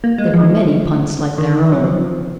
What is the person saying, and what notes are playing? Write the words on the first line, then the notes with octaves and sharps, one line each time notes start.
There were many punts like their own.
A#3
G#3
F3
D#3
F#3
F3